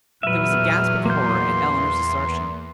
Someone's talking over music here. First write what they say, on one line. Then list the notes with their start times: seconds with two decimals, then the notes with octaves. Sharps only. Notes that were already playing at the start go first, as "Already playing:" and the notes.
There was a gasp of horror at Eleanor's assertion.
0.23 E2 A#2 F#3 B4 E5 F6
1.06 A#3 C6 G6